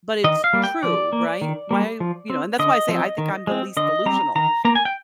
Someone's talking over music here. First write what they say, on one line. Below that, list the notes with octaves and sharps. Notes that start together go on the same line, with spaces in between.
"But it's true, right?" Why you know, and that's why I say I think I'm the least delusional,
D#3 D#5
F5
G3 A#3
G5
F3 D5
A#3
D#3
G3 A#3
F3
C4
D3 D#5
F3 C4
D#3
G#3 C4
D3 D#5
G3 C4 A#5
D#3 A#5
A#3 A#5
G#5
G5